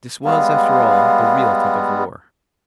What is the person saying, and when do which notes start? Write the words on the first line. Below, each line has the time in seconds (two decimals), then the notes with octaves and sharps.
This was, after all, the real tug of war.
0.25 G3 G#3 B3 F5